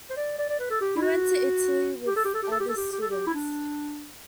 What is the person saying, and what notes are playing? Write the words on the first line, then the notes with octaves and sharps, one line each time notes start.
He went to Italy with other students.
C5
D5
D5
D5
B4
A4
G4
E4
F#4
G4
A4
G4
A4
G4
A4
G4
A4
G4
G4
A4
G4
E4
D4